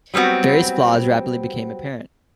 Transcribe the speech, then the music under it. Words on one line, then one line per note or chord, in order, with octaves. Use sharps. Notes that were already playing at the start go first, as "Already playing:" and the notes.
Various flaws rapidly became apparent.
F#3 G3 B3 C4 F#4